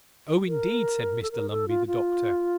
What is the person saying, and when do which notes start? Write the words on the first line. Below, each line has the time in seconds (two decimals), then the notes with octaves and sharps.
'Oh, indeed!' said Mr Lumbey, the doctor.
0.48 A#4
1.22 A4
1.32 A#4
1.50 A4
1.68 F4
1.87 F4